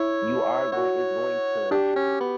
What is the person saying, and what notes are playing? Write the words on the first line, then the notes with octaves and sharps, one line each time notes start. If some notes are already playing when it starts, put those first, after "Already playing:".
you are goin it's going to,
Already playing: E4 C#5
F#4 C#5
D4 G4
C#4
B3